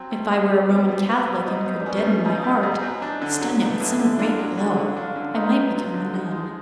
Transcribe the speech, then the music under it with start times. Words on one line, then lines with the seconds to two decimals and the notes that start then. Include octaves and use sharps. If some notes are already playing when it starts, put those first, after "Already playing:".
If I were a Roman Catholic and could deaden my heart, stun it with some great blow, I might become a nun.
Already playing: F#3 C4
0.11 B2
0.31 B2
0.50 B2
0.69 B2
0.89 B2
1.09 B3
1.28 B2
1.47 B2 D#4
1.66 B3
1.80 D4
1.86 B3 C#4
2.05 B2
2.25 B2 D#4
2.44 B2
2.63 B2
2.83 F#3
3.02 D4
3.22 D3
3.41 F#3
3.60 B3
3.80 D3 E4
4.00 D3
4.13 E4
4.18 D4 F4
4.39 F#3
4.58 D3 F#4
4.77 D3
4.97 D4 F4
5.16 D3
5.35 B3 D#4
5.55 B3
5.74 F#3
5.94 D3
6.13 F3
6.32 G#3